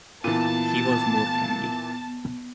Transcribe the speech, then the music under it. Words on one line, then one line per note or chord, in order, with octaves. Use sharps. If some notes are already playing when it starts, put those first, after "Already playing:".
He was more friendly.
A#2 E3 B3 A5